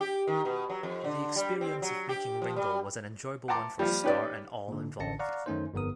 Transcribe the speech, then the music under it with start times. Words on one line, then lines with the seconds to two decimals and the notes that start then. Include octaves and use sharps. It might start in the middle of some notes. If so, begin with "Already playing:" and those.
The experience of making "Ringo" was an enjoyable one for Starr and all involved.
0.01 G4
0.27 D#3
0.45 B2
0.70 F#3
0.83 F2
1.04 D3
1.36 G3
1.61 C4
1.82 F#3
2.09 G4
2.42 F3
2.56 G3
3.48 F#5 G5 A5 A#5 C6 D6
3.79 F3 G3
4.04 C#4 D#4 G4 B4 C#5 D5
4.68 A#2 D3
4.99 A1 D3 C#4 A5 A#6 C#7
5.19 D5 F5 F#5 A#5 C#6
5.46 F#2 D#3 A3 C#4 D#4 C5
5.74 G1 F2 B3 A#4 D#6